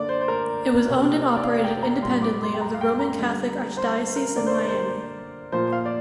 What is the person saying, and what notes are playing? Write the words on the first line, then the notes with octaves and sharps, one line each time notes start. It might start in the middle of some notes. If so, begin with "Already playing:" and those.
It was owned and operated independently of the Roman Catholic Archdiocese of Miami.
Already playing: D3 A#3 D5
C5
C5
A#4
C3 A#3
D5
F5
F5
G5
A#5
A#2 G3 A#3 C6
D6
C6
G5
A#5
F5
G5
A#5
D3 G3 A#3
C5
C5
A#4
D3 A#3 D5
C5
A#4
C5
A#2 F3 A#3 C5
F5
D5